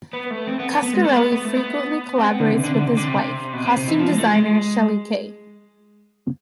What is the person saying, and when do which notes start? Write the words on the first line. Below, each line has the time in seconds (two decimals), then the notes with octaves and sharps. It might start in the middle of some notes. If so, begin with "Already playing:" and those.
Coscarelli frequently collaborates with his wife, costume designer Shelley Kay.
0.13 B3
0.31 A3
0.47 C4
0.59 B3
0.71 B3
0.82 B3
0.94 G#3
1.04 A3
1.16 B3
1.32 B3
1.45 A3
1.56 B3
2.18 C4
2.29 B3
2.40 D3
2.52 C3
2.63 D3
2.74 D3
2.86 C3
2.97 D3
3.08 C3
3.53 B2
3.66 C3
3.77 C3
3.88 E3
3.99 F3
4.10 G#3
4.18 A3
4.27 G#3